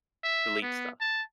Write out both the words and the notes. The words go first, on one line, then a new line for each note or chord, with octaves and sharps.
delete stuff.
E5
B3
A5